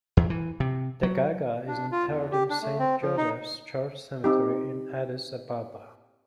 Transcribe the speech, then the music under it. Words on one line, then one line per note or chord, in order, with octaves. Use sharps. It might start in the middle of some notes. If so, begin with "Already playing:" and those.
Degaga is interred in Saint Joseph's Church Cemetery in Addis Ababa.
E2
E3
C3
F#3
D4
F4
E2
G4
D4
A3
C4
F3
D#4
C4 D#4 G4